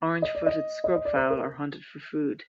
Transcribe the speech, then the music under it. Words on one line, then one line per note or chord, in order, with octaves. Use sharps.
Orange-footed scrubfowl are hunted for food.
D#5
D5
D#5
D#5
D#5
D5
C5
A#4